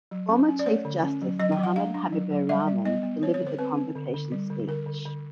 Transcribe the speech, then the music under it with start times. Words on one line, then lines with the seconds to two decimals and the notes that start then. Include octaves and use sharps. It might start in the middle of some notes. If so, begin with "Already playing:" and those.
Former Chief Justice Muhammad Habibur Rahman delivered the convocation speech.
0.11 F#3
0.29 C#4
0.48 C#4
0.59 D5
0.66 A3 C#5
0.85 D3
1.03 C#4
1.22 F#3
1.40 F#3 D#5
1.52 G5
1.58 F#3
1.63 F#5
1.76 D4 F5
1.94 D4
2.13 F#3
2.31 F#3
2.49 G3 E5
2.67 G3
2.85 B3 D#5
3.03 B3
3.23 C4 C#5
3.34 C#5
3.41 D3
3.47 C5
3.59 C4 B4
3.77 C4
3.95 D3
4.14 D3
4.32 G3
4.50 D3
4.68 D3 A#4
4.87 D3
5.05 D3